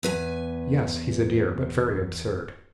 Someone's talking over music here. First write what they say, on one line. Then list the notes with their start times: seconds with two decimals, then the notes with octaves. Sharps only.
"Yes, he's a dear, but very absurd."
0.03 E2 B4 G#5